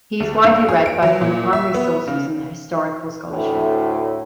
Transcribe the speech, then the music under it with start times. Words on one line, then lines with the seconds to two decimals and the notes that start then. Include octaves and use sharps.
He is widely read both on the primary sources and the historical scholarship.
0.20 D2
0.44 G2
0.69 G#4
0.86 D7
1.03 F#3
1.21 A#2
1.53 E5
1.74 B3
2.07 C#3
3.28 D2 A2